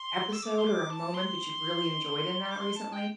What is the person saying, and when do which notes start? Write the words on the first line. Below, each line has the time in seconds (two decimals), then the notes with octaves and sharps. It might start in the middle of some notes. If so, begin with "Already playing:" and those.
episode or a moment that you've really enjoyed in that recently?
Already playing: C6
0.32 E6
0.43 D6
0.58 C6
0.67 D6
0.90 A5
1.14 C6
2.51 D6
2.58 C6
2.75 A5
2.93 G5